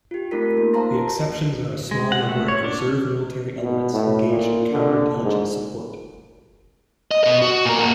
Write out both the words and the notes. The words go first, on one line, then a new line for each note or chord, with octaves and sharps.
The exceptions are a small number of reserve military elements engaged in counter-intelligence support.
F4 G4
A3 C4 D#4 F4 A#4 B6
A#3 B6
C5 F5 A5 A#5 C6 A#6
G#3
F#5
A3
C#5
D4
B2
A2
A#2
D3
G#2
D#5
B2 D#5
F#4
A#2 A#4
A#3 F#4